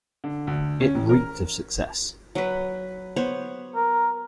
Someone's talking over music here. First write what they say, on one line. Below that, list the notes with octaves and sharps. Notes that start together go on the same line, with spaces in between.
It reeked of success.
D3
D2
C#4
A1
A#4
F#3 B4
B3 C5 C#5
A#4